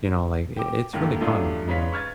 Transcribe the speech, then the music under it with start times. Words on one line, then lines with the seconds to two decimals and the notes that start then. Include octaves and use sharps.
you know, like, i it's really fun, you know?
0.57 G5 D6
0.93 D2 G2 D#3 A3 A#3
1.21 G2 F#3 A3 D4 D#4 F4
1.68 G#2 C#4 B4 C#5 F5 B6
1.92 C#6 F6 G#6 A6